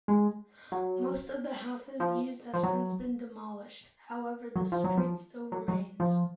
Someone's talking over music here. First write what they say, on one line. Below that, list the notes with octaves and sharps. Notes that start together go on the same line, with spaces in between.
Most of the houses used have since been demolished, however the street still remains.
G#3
F#3
F3
F3
F#3
F#3
F3
F#3
F3
F#3
F#3
F3